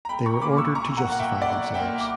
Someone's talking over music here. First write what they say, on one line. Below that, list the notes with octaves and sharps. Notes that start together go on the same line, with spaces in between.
They were ordered to justify themselves.
A#5
B1 G5 B5
A#5 C#6
A#2 A#3 B5 D6
C#6 E6
B1 A#5 C#6
F#5 A#5
A#2 A#3 F#5
E5 G5
B1 D5 F#5
A#2 A#3 E5 G5
D6